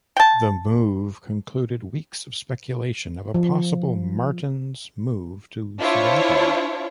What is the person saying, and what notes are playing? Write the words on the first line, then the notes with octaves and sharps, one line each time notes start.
The move concluded weeks of speculation of a possible Martins move to Seattle.
G5 A5
F3
D4 E4 F4 C5 C#5